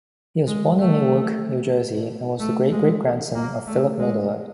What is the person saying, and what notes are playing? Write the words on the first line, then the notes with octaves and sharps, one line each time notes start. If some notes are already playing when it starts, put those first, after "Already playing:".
He was born in Newark, New Jersey and was the great-great-grandson of Philip Milledoler.
G#3
A3
A3
G#3
A#3
A3
G#3